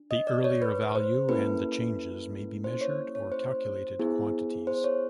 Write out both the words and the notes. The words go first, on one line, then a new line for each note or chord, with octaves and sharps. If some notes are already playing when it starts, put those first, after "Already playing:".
The earlier value and the changes may be measured or calculated quantities.
Already playing: D4
D#5
D5
C#5
B4
C5
A#3 C#4 E4 A4 B4
C5
C#5
C#5
C5
B3 E4 G#4
C5
C#5